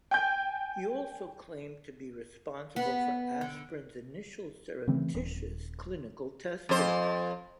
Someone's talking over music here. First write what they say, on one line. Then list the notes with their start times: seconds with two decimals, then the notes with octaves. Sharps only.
He also claimed to be responsible for aspirin's initial surreptitious clinical testing.
0.11 G5 G#5 G6
2.76 B3
3.41 D3
4.87 C#3 E3 A3 C4
5.14 D#1
6.69 F2 C5